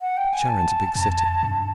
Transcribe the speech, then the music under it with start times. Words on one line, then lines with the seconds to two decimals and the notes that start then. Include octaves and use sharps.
Charin's a big city.
0.01 F#5
0.17 G5
0.33 G#5
0.48 A5
0.95 F2
1.43 G2